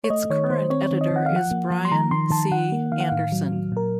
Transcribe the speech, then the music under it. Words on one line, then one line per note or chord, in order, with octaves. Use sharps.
Its current editor is Brian C. Anderson.
C#5
A3 D#5
D#3 C#5
D#3 C5
C4 C#5
C#5
D#3
D#5
D#3 F#5
F3 F5
F#5
A#3
F3
C6
D#3 A#5
D#3 C6
D#3 A5
D#3 F#5
A#3
D#3 F5
F#5
A2 F5
F#3
F#3
A#2 A#4